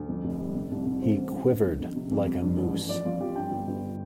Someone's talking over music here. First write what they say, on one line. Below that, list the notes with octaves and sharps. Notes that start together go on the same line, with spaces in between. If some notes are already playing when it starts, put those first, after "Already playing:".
He quivered like a mousse.
Already playing: D2
F2
F1
G3
C3
C2
C2
A2 C5
A1
A1
D3
F2
F2
C3
F2
F2
G2
A1
A1
F3 D5
F2 F4
F3 G4
G2 G5
G1
G1